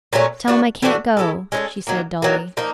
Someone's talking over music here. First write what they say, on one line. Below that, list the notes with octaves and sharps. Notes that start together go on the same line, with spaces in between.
"Tell him I can't go," she said dully.
A#2 F#3 A3 C#4
E3 A3 D4 F#4
E3 A3 D4 F#4
G#3 C#4 E4 A4
G#3 C#4 E4 A4
D#3 F#3 A#3
D#3 F#3 A#3
F3 A#3 D#4